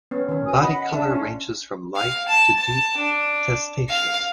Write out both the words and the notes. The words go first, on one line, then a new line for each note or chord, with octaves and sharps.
Body color ranges from light to deep testaceous.
B3 C#4
D#3 C#4
F#4 G#5 D#6
D#5 F#5 B5
D4 A4 E5 A5
C#4 F4
F5
A5
A5
D4
F5